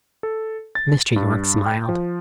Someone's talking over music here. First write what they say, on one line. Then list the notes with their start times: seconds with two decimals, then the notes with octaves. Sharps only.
Mr. Yorke smiled.
0.23 A4
0.75 A6
1.16 G2
1.66 G5
1.89 F3